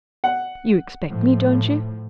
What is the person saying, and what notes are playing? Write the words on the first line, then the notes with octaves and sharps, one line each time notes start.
'You expect me, don't you?'
F#5
A2 F3